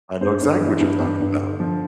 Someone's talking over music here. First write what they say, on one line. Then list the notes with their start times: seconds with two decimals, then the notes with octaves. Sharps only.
I know exactly what you're talking about.
0.21 G2 C5
0.41 G2
0.61 E3
0.80 G2
1.00 G2
1.20 G2
1.40 D3
1.60 F3